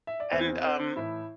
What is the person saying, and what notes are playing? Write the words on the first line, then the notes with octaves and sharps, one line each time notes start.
And, um,
E5
D5
E2 E3 C4 C5
C4 C5
A2 E3 E4 E5